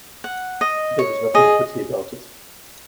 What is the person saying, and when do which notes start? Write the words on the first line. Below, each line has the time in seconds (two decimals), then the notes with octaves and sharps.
There is nothing pretty about it.
0.24 F#5
0.61 D#5
0.99 C#5
1.35 G#4 D#5